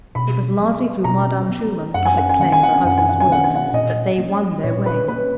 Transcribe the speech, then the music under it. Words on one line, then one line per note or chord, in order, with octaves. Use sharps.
It was largely through Madame Schumann's public playing of her husband's works that they won their way.
B2 B5
F#3 B3
B2 A#5
F#3 B3
F#2 F#5
G#5
F#5
G#5
D#3 A#3 C#4 F#5
G#5
F#5
G#5
F#2 F#5
G#5
F#5
G#5
D#3 A#3 C#4 F#5
G#5
F#5
A#2 D#5
A#3 C#4
A#2 C#5
B4
A#3 C#4 B4